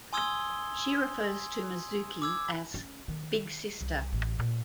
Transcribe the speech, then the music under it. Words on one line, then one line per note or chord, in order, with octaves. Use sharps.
She refers to Mizuki as "Big Sister".
G#5 C6 D#6 E6 G#6 G7
D6 E6 G#6
C#4
D#3
C2
A1
A#2